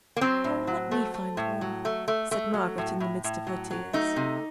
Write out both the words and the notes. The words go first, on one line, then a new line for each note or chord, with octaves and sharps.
'Oh! let me find one,' said Margaret, in the midst of her tears.
A#3
F#3 C4
A2
F#3
A3
A3
A2
F#3
A3
A3
A3
F#3
A2
A2
A2
F#3
F#3
A3 D#4
C3